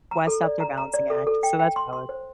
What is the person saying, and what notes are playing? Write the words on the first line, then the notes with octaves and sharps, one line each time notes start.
why stop their balancing act? So that's valid.
A#5
A4
D5
A#5
A#5
D5
A4
A4
G5
G5
C6
C6
C5